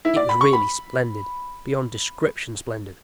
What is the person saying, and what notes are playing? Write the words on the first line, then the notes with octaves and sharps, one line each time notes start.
It was really splendid--beyond description splendid.
E4
D5
B5
C#6
B5